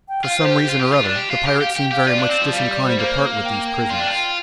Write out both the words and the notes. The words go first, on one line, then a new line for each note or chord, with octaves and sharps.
For some reason or other, the pirates seemed very much disinclined to part with these prisoners.
G5
F4 F5
C5
G4
F4
G4
F4
D4
G4
F4
G4
G4 F5
G4 G5
G4 F5
F4 D5
D4
C4
F3
G3 F5
D5
C5
A#3 C5
C5
F5
G5
F4
D4
F4